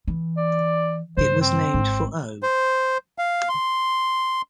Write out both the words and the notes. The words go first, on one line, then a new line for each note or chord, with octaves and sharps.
It was named for O.
E3
D5
G2 C#3 C5
C4
G#1
C5
F5
C6